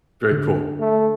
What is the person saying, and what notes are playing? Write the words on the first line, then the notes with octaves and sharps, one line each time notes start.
very cool.
D3
A3